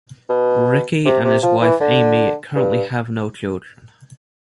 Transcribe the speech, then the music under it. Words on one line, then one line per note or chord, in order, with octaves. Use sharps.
Ricky and his wife Amy currently have no children.
B2
C3
C3
F3
E3
D3
G2